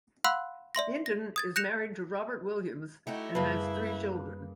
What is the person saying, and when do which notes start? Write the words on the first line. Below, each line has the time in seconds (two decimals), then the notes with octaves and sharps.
Hinton is married to Robert Williams and has three children.
0.24 F5 F#5 B5 C6 E6 F#6
0.75 D5 E5 C6 A#6
1.06 A#6
1.36 D#6 G#6 A6
1.56 F#6 G6 A#6 C#7 E7 F7
3.07 A3 D#4 E4 F#4 G4
3.35 F#2 C#3 G3 A#3 B4 A5